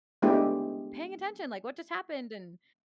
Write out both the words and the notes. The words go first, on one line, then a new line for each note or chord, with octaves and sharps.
paying attention? Like, what just happened?" And,
G#3 A3 B3 D4 E4 G4